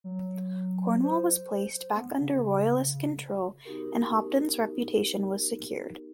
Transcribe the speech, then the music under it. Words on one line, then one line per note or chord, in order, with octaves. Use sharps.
Cornwall was placed back under Royalist control and Hopton's reputation was secured.
F#3
C5
B3
C#3
B3 D#4 F#4 G4 A#4